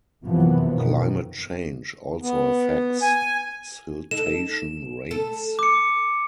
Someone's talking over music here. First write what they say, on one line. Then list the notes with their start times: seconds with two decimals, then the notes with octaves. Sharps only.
Climate change also affects siltation rates.
0.23 F#2 C3 E3 F3 B3
0.74 B2 D#3
2.23 B3
3.02 G#5
4.11 D#4 A4 E7
5.11 A4
5.59 D6 C#7